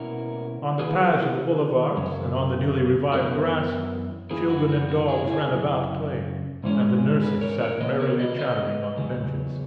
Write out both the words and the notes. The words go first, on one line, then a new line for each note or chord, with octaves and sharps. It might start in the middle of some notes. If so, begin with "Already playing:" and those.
On the paths of the boulevards and on the newly-revived grass, children and dogs ran about, playing, and the nurses sat merrily chattering on the benches.
Already playing: B2 A#3 C#4 E4 F#4 A#4
D#3 A#3 E4 G#4 B4
F#2 C#3 F#3
F#2 E3 B3 E4 F#4 A#4
F#2 E3 A#3 E4 G#4
F#4
F#4
F#4
E4 G#4
E4 G#4
F#2 C#3 F#3
G#2 E3 G#3 C#4
G#4 B4
A#4 C#5
A#4 C#5
C#3 E3 B3 B4 D#5
A#4 C#5
B4 D#5
B4 D#5
E2 C#3 F#3